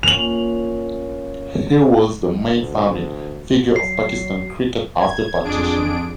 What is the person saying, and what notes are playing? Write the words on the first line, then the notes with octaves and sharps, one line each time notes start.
He was the main founding figure of Pakistan cricket after partition.
A#2 C#4 F7 F#7
D2
F#3 C7
G#6
F2 D4 G#4 D7